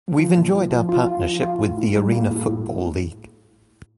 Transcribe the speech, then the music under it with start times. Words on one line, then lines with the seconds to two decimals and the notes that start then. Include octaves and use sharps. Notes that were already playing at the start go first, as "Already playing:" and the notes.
We've enjoyed our partnership with the Arena Football League.
0.19 F3
0.37 A#2
0.55 F3
0.72 F3
0.89 F4
1.07 F4
1.24 F3
1.43 F4
1.60 A2
1.78 A2
1.96 G3
2.12 A#3
2.31 A2
2.48 A2